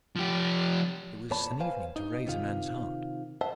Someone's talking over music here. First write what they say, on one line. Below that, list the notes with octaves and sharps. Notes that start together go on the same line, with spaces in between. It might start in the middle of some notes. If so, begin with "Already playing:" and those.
It was an evening to raise a man's heart.
F3 G4
E2 A#2 C#5 D5 A5 B5
B4 C5 F5 G#5
D#4
C3 D#3 F4
C5 D#5 E5 F#5 A5